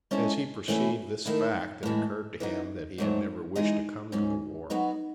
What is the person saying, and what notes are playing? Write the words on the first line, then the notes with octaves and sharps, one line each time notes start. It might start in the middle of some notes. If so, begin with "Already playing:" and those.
As he perceived this fact it occurred to him that he had never wished to come to the war.
G#3 C#4 E4 A4 D#5
E3 A3 C#4 E4 G#4
D#3 A3 E4
A2 E3 G#3
E3 B3 D#4
G#2 F#3 A3
E3 G#3 D#4 G#4 D#5
G#2 F#3 C#4
F#3 B3 D#4 F#4 C#5